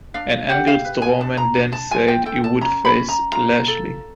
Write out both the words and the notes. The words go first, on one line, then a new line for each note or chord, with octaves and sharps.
An angered Strowman then said he would face Lashley.
D4 F5
G4 F#5
F5
B4
G#5
D4 A5
A#5
D4
A5
F4 G#5
G5
A4 G5
A5
C#4 A#5
B5
C#4
A#5
F4 A#5
A4